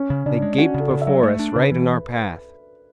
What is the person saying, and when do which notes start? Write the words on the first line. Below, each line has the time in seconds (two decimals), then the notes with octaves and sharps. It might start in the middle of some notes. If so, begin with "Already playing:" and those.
They gaped before us right in our path.
Already playing: C#4
0.10 C#3
0.26 C#3 D4
0.42 G#3
0.58 C#4 F#4
0.74 C#3
0.80 A4
0.91 C#3
1.02 E5
1.07 F#3
1.23 A3
1.39 D4
1.56 C#3 B4
1.72 E3